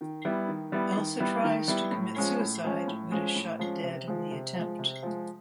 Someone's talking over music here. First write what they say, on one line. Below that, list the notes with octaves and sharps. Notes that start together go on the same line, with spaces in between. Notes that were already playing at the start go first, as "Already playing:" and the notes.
Elsa tries to commit suicide, but is shot dead in the attempt.
D#3
G3 B3 E4
D#3
G3 B3 E4
D#3
G3 B3 E4
D#3
G3 B3 E4
A2
F3 G#3 C#4
A2
F3 G#3 C#4
A2
F3 G#3 C#4
A2
F3 G#3 C#4
C3
F3 G#3
C3
F3 G#3
C3
F3 G#3